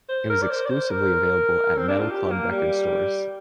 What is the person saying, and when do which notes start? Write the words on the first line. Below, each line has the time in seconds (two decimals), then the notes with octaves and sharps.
It was exclusively available at Metal Club record stores.
0.09 C5
0.30 A#4
0.42 D5
0.50 C5
0.65 D5
0.69 C5
0.91 A#4
1.78 C4
1.88 D4
2.00 F4
2.11 G4
2.31 A#3
2.52 G3